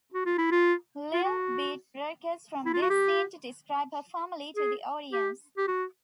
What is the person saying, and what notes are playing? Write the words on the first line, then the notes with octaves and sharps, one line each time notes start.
Li'l Bit breaks from this scene to describe her family to the audience.
F#4
F4
E4
F4
F4
F#4
E4
F4
F#4
G4
G#4
G4
G4
F#4